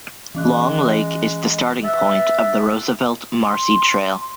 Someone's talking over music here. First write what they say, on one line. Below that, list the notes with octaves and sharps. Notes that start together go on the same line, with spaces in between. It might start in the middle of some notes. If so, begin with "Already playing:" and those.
Long Lake is the starting point of the Roosevelt-Marcy Trail.
E3 G#3 C#4 F#6
B3 E5 F#6 A6
C6